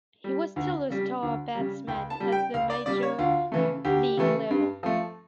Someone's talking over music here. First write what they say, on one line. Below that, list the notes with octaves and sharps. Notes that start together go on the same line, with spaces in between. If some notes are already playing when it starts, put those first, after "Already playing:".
He was still a star batsman at the major league level.
G3
D2
C#3 G3
D2
C#3 G3
C#2 G5
A5
C#3 G3
G5
C#2 F5
D5
C#3 G3 D5
C#5
D2 F4
C#3 E3 A3
D2 G4
C#3 E3 A3
G2
F3 A3